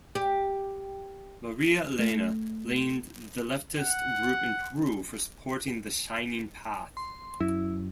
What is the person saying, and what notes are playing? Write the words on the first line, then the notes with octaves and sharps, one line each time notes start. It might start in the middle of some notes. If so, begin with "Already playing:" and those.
Maria Elena blamed the leftist group in Peru for supporting the Shining Path.
G4
A3
F#5
C6
F#2 E4